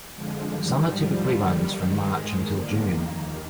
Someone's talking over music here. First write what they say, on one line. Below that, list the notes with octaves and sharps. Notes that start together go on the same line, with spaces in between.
Summer typically runs from March until June.
F2 D3 F3 G#3
G#2 D#3 G3
G#2 F3 G3
D#2 D3 F3
F2 D#3 G3
G#2 D#3 G#3
G#2 D#3
G2 D3 F3 A#3
F2 D#3
D#2 D#3